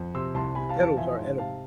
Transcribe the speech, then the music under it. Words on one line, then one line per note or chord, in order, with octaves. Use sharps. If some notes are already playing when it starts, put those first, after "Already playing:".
The petals are edible.
Already playing: F2
C3 C6 E6
C2 A5 C6
C3 G#5 B5
F5 A5
E2
F5 A5
F3 E5 G#5
G#2
C3 F5 A5